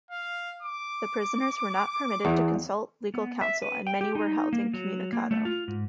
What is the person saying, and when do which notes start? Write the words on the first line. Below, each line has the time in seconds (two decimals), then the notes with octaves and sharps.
The prisoners were not permitted to consult legal counsel, and many were held incommunicado.
0.11 F5
0.62 D6
2.25 E2
3.14 B3
3.41 E5
3.62 B4
3.87 G5
4.01 G4
4.15 D#4
4.53 A#3
4.74 F#3
5.13 A#3
5.31 A3
5.45 F4
5.68 G#2